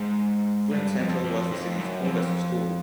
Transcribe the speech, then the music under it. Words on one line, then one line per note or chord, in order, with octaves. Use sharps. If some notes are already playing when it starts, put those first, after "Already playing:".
Flint Central was the city's oldest school.
Already playing: G#2
G2
F2
F2
F2
F#2
F2